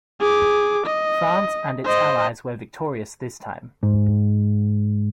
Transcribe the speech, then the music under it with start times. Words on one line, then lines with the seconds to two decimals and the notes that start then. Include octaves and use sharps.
France and its allies were victorious this time.
0.20 G#4 D6
0.86 D#5
1.85 C5 D#5
3.83 G#2